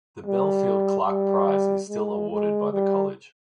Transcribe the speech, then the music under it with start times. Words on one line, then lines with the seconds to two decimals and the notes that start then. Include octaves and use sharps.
The Belfield Clarke Prize is still awarded by the college.
0.26 G3
1.07 G3
1.90 G#3
2.31 G#3
2.72 G3